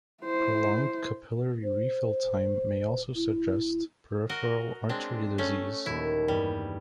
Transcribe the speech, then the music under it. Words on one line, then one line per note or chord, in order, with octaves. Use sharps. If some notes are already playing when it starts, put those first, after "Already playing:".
Prolonged capillary refill time may also suggest peripheral artery disease.
E4 C5
C5
D#1
E4
F#4 A#4 D#5
G#3 C4 D4
A3 C#4
D#1 D#2 E4
E2 G2 G3